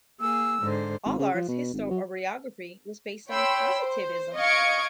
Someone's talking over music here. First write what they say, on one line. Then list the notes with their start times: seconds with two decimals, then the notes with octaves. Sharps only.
Aulard's historiography was based on positivism.
0.20 A#3 G#4 E6
0.62 G#2 D3 C5
1.05 G#1
1.19 C#3
1.34 F3
1.48 B2
1.74 G#1
1.90 F#3
3.30 C#5 G5 B5 C6 E6
3.82 C5
4.37 D#5 F5 C#6 G#6 C#7 D7